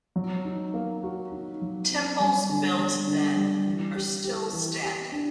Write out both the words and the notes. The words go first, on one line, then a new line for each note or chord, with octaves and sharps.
Temples built then are still standing.
F#3
D#4
A#3
F#4
D#4
F#3
C4
G3
D3
G3
D3
G3
E3
G4
G4
E3
G4
D4